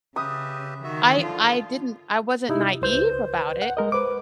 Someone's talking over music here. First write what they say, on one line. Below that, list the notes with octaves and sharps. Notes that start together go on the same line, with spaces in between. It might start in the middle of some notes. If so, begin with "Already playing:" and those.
I I didn't I wasn't naive about it,
C#3 G4 B4 E5 D#6
D#3 F#4 E5
D3 F3 F4
C3 D#4 E4 G4
C#2 B4 C5 G6
B4
F#5
G#3 A#4 D#5
B4 C5 D6